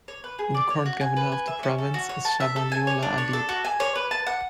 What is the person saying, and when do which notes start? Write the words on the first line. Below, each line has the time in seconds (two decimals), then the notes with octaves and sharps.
The current Governor of the province is Shah Waliullah Adeeb.
0.08 C#5
0.24 B4
0.39 G#4
0.55 D5
0.70 C#5
0.86 F#4
1.01 G#5
1.17 B4
1.32 G#5
1.48 E5
1.63 C#4
1.78 A4
1.94 F#4
2.09 C#5
2.25 A5
2.40 E5
2.56 A4
2.72 G#5
2.87 C#5
3.03 D4
3.18 C#5
3.33 A4
3.49 F#4
3.65 G#5
3.80 C#5
3.95 B4
4.11 A5
4.27 F#5